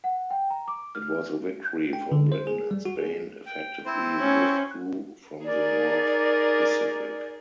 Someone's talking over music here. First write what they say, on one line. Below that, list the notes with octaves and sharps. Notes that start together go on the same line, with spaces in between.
It was a victory for Britain and Spain effectively withdrew from the North Pacific.
F#5
G5
A#5
D6
F6
G5
D3
C5
G#4
G3
F#4
G#4
G5
C4 E4 C5
C#4
D#4 G#4 A#4 D5